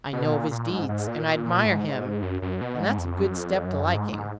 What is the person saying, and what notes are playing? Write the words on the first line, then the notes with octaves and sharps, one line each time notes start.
"I know of his deeds, and I admire him, and that's a good step to liking."
B2
A#2
A#2
G#2
G#2
A#2
G#2
F#2
F#2
B2
G#2
F2
F#2
F2
F#2
G#2
G#2